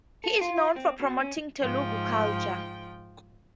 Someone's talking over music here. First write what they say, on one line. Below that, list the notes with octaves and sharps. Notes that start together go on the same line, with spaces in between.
He is known for promoting Telugu culture.
A4
F4
C4
B2
C#4
G#2 F3 G5